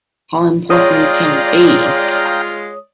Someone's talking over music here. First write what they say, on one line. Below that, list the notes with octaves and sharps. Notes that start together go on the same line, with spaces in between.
How Important Can It Be?
G#3 F4 C#5 D5 F5 G5 A#5 D#6